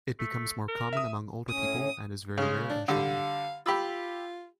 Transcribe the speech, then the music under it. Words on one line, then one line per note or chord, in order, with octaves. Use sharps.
It becomes more common among older people and is very rare in children.
A3
A#4
E5 D#6
A2 C#4 D#6
C#3 G#3
D4
D3 G3 F5
F4 G4 B5 E6